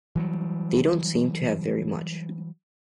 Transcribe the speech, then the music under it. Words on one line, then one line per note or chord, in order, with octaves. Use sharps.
They don't seem to have very much.
E3 F#3 G3